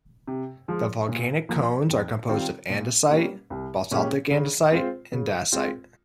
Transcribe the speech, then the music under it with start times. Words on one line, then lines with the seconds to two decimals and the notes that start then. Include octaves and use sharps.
The volcanic cones are composed of andesite, basaltic andesite and dacite.
0.27 C3
0.68 F3 G#3
1.09 A#2
1.49 F3 A#3
1.89 F2
2.29 D#3 G3 C4 F4
2.70 A#2
3.10 G3 A#3 C#4
3.50 C2
3.91 A#2 G#3 C#4 G4
4.31 C#3
4.72 G#3 C4 F4 C5
5.12 C#3
5.52 G#3 C4 F4